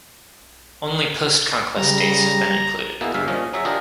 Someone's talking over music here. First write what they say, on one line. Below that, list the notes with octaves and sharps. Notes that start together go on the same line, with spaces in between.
Only post-conquest dates have been included.
C#3 G3 A#5
B2 A#3 B3 E4 G#4
G1 G2 G#3 E5 F5
A#2 F3 C#4 D#5
F#3 G#4 E5
D4 F4 G4 G#4 A#4 D#5